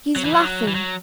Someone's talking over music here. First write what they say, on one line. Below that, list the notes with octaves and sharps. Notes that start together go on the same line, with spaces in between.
"He's laughing."
F#3
E3
F#3
E3
F#3